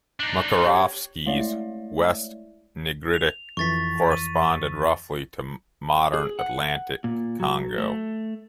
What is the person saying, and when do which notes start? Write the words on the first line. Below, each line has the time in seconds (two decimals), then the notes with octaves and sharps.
Mukarovsky's West-Nigritic corresponded roughly to modern Atlantic-Congo.
0.20 D4 D#4
0.67 G4 C#5
1.26 G#3 A3 E4 C#5 D5 E5
3.14 F7
3.57 F2 E3 C#6 A6 B6
4.12 D#7
6.14 G#4
6.39 F#5
7.04 A#2
7.40 F#3
7.78 A3